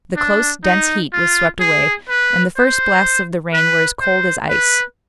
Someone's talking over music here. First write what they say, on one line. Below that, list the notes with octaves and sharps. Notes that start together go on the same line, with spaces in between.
The close, dense heat was swept away, and the first blasts of the rain were as cold as ice.
D4
D#4
F4
G#4
B4
C5
B4
C5
B4